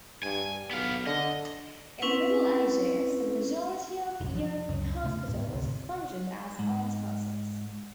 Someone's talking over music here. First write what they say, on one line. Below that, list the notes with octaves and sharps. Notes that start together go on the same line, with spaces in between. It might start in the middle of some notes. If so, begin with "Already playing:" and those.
In the Middle Ages, the majority of European hospitals functioned as almshouses.
G2 G#5
B1 B3 F5
D3 D#5
C4 C#4 E4 B4
F1 B1 G2
F3 D4
C#2 F#2 C#3
E1 C#3 A3
D2 G#2 B2
G#1 D2 C3
G#2